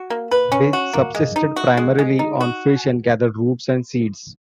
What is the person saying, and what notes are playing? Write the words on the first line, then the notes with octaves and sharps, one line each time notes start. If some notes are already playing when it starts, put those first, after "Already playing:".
They subsisted primarily on fish and gathered roots and seeds.
Already playing: F#4
A#3
B4
C#4
F#4
A#3
G#3
D#4
F#4
G#3
G#3
D#4
F#4